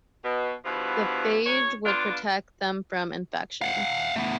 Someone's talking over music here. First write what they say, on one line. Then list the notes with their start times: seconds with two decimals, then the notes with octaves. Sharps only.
The phage would protect them from infection.
0.23 B2
0.65 G2 B2 F3 B3 E4
1.46 D2 C#5
1.85 D3 B3 D4 F4
3.62 F5 F#5
4.16 A3 B3